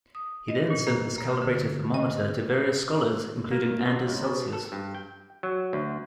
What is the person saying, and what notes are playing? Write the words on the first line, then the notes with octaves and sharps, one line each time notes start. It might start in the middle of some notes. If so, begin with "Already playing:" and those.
He then sent this calibrated thermometer to various scholars, including Anders Celsius.
D#6
D#5
A#2
A#3
A#3
D3
D#5
A#3
C3
C#2
B2
A4
G2
G5
F#3
D2